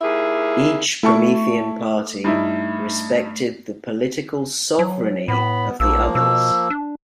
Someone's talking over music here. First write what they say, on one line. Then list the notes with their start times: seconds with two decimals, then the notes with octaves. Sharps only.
Each Promethean party respected the political sovereigny of the others.
0.01 D#2 E4 G4 G#4
1.03 A3 E4 A5 C#6
2.24 G2 D#4 E4
4.79 F#3
5.28 A2 B3 B5
5.80 A#1 F3 A#3 E6
6.15 B2 E6
6.70 D4